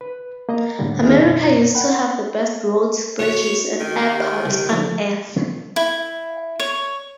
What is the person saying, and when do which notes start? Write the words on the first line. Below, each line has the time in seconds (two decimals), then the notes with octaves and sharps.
America used to have the best roads, bridges, and airports on Earth.
0.01 B4
0.49 A#3 D#5 A#5
0.79 A2 D3 G3
1.02 D#2 D#3 E4 G#4 E5 F6
1.18 F#2 B2
1.75 F#5 G5 B5
3.19 A2 F#4 C#5 F#5
3.81 D#3
4.13 G4
4.45 C2
4.70 D3 F3 D#4
5.76 E4
6.60 C#5